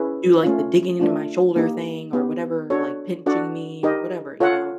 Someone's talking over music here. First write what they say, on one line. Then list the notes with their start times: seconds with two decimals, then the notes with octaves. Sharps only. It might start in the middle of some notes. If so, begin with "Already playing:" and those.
do, like, the digging into my shoulder thing or whatever, like, pinching me or whatever, you know?
Already playing: C#4 E4 G#4 B4
0.43 A3 C#4 F4
1.00 A3 D4 F4
1.56 A#3 D#4 G4
2.13 B3 D#4 G4
2.70 D4 F#4 A4 C#5
3.26 D4 F#4 A4 D5 F#5
3.83 D#4 G4 A#4 D#5
4.40 F4 A4 C#5 F#5